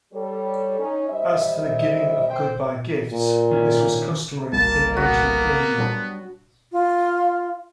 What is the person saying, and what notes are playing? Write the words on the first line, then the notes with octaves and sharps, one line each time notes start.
As to the giving of goodbye gifts, this was customary in ancient India.
G3 A4 C#5
C#4 D#4
F#2 G3 C5 D#5 E5
C5 G5
A#2
D#3 C#4 E4
G1 C2 G3 A#3 A5
B3 F#4
F#3 G3 D4
F4